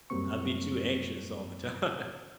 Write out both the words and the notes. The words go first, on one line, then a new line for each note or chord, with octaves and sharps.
I'd be too anxious all the time.
F#2 F#3 G3 A#3 C4 C#6